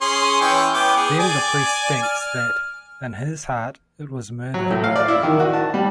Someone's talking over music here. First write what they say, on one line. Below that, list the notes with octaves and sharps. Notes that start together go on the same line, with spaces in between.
Then the priest states that, in his heart, it was murder.
C#4 G#4 C6
E3 C#4 G5
B3 G5 D6
G#4
D5 G#5
F6
F#3
A2
F5
D5
E4
D#3
F#4
A5
G3